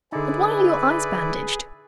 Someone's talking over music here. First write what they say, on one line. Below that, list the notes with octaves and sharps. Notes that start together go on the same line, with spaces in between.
'And why are your eyes bandaged?
D3 D#4 E4 G#4 B4 D5